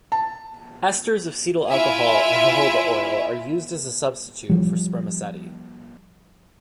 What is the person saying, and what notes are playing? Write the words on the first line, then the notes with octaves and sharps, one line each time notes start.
Esters of cetyl alcohol and jojoba oil are used as a substitute for spermaceti.
A5
E4 F4 E5 G#5
F3 G3